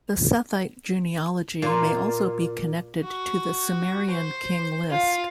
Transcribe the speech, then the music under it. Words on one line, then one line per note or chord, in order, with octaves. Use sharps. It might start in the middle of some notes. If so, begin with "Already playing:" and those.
The Sethite genealogy may also be connected to the Sumerian King List.
A#2 F5 A#5 C6
F#4
C5
F4